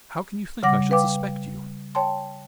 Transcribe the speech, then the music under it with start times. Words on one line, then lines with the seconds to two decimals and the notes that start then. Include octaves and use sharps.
"How can you think I should suspect you?"
0.63 C#3 G3 F#5 D6 A#6
0.91 B4 F5 G5 D6
1.95 C#5 G5 A5 C6